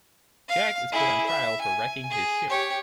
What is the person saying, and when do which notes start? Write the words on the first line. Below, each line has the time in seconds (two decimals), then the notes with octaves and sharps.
Jack is put on trial for wrecking his ship.
0.49 F5
0.92 E4 G#4
1.27 E5
1.62 G#5
2.11 G#4
2.50 G4 C#5